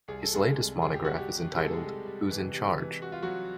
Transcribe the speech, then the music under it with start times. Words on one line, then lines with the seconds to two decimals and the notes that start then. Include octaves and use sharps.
His latest monograph is entitled Who's in Charge?
0.08 C2 G#4
0.22 A4
0.33 C3 G#3 G#4
0.57 C2
0.82 C3 G#4
0.94 G4
1.05 G3 F#4
1.15 G3 G4
1.30 G3
1.55 G3 G#4
1.64 A4
1.73 G#3 G#4
1.80 C3
2.05 G3
2.29 E3
2.54 C3
2.77 E3
3.02 G3 F#4
3.12 F4
3.23 F#3 G3 F#4